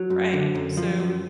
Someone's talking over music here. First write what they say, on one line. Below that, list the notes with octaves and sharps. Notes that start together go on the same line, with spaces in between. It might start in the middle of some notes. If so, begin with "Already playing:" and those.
Right, so
Already playing: F#3
F#2
D3
F#2
F3
F#2